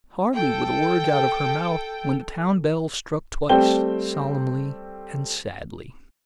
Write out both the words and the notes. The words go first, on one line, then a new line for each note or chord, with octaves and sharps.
Hardly were the words out of her mouth, when the town bell struck twice, solemnly and sadly.
A4 G5
G3 A3 C4 G5 G7